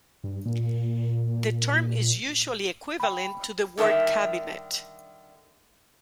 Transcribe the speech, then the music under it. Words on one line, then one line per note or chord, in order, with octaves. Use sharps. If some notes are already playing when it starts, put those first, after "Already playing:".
The term is usually equivalent to the word "cabinet".
G2
A#2
G5 B5
D3 D#3 G3 E5 A5